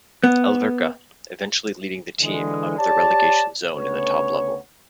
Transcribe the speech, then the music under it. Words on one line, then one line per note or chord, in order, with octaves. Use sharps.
Alverca, eventually leading the team out of the relegation zone in the top level.
B3
D3 E3 G#3
G4 C#5 D5 A5
D2 C#3 B3 C#5